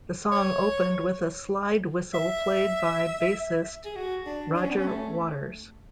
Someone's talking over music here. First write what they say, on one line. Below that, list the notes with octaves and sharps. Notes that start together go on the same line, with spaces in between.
The song opened with a slide whistle played by bassist Roger Waters.
C#5
E5
G#4
F#4
D4
D4
C#4
B3
C#4
A3